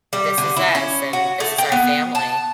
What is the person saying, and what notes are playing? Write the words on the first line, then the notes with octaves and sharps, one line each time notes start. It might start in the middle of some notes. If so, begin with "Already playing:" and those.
this is us, and this is our family.
G3
D3
E4
C#4
F#4
A3
G5
B3
A5